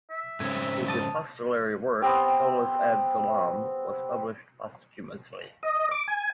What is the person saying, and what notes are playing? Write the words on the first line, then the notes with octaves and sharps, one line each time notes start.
His epistolary work, "Solus ad solam", was published posthumously.
E5
G#2 C#3 C4 G#5
A5 D#6
B3 C4 G4
D#5
D6
G#5